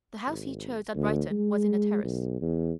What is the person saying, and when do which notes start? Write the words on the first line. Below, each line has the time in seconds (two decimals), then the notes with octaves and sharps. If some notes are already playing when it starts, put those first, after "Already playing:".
The house he chose at Brighton was in a terrace.
0.27 G#1
0.95 D2
1.31 G#3
2.04 B1
2.41 E2